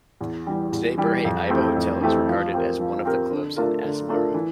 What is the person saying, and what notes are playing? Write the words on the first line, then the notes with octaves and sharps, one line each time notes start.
Today Berhe Aiba hotel is regarded as one of the clubs in Asmara.
E2
E3 G3
E2
E3 G3
F2
E3 A3 C4 G4
F2
E3 A3 C4 G4
F3
C4 G4 A#4
F3
C4 G4 A#4
D3
A3 D4 F4 A#4
D3
A3 D4 F4 A#4
E3